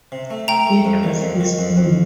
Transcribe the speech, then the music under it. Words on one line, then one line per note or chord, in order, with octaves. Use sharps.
It was his move.
C3
A3
A3 G5 A#5
A3
F2
D#3
F2
D#3
F2
F2